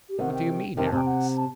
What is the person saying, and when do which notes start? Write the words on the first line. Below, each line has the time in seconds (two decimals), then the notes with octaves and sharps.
"What do you mean, Aramis?"
0.09 G4
0.19 C3 D#3 F#5
0.34 G5
0.77 C3 D#3 G5
0.87 A5
0.92 C3
0.97 G5
1.07 F#5
1.37 A5